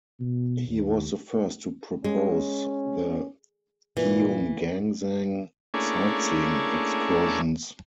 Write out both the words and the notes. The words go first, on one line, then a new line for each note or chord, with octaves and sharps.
He was the first to propose the Geumgangsan sightseeing excursions.
B2
D#2
G#3 C#4
A#2 E3
A3 A#3 C#4 D4 E4 G#4